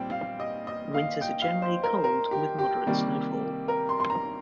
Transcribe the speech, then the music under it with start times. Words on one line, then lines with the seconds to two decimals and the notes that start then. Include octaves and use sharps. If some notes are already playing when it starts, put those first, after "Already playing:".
Winters are generally cold with moderate snowfall.
Already playing: A#2 G3 C4 G5
0.11 F5
0.40 D#5
0.67 D#5
0.94 F5
1.21 G5
1.42 F5
1.62 C5
1.83 A#4
2.04 A#4
2.31 G4
2.59 G4
2.86 C3 D#3 G3 A#3
3.68 A#4
3.89 C6
4.00 C6
4.10 A#5